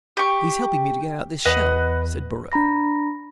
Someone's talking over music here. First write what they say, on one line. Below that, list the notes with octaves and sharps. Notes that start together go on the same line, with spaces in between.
"He's helping me to get out this shell," said Borrowe.
G4 C#6
E2 B4 D#5 F#5
D4 A#5 B5 A#6